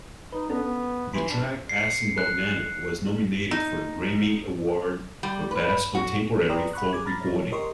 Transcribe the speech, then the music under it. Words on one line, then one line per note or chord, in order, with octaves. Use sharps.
The track "Asimbognagna" was nominated for a Grammy Award for "Best Contemporary Folk Recording".
D#4 B4
B3 C#4 D4 A4
B3
E3 B5 C6
D4
C7 C#7
F#6
D#4
G3
B4
F#4
B4 D5 G5 A#5 C6 D#6
F#5 B5 C#6 F#6
G#4 D6 G#6
A#5 B5 F6 A6 A#6
C#5
G4 A#4 D#5 C6 C#6